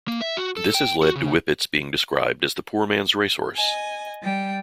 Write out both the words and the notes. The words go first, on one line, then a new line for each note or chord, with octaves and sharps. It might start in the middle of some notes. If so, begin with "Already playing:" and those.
This has led to Whippets being described as the poor man's racehorse.
A#3
E5
F#4
A4
G5
F#4
C#3
D#5 G#5
G3 G5